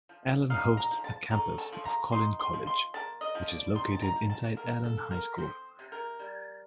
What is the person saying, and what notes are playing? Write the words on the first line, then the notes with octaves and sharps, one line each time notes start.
Allen hosts a campus of Collin College, which is located inside Allen High School.
F3
D#4 F5
A#5
F3
A5
A3 A#5
A5
F3
A#5
D#4 C6
C6
F3
C6
A#3 A5
D#5
F3
D5
D#4 C6
A5
A#5
F3
A5
A#3 A#4
A4
F3
A#4
C4 C5
C3
A#4
G3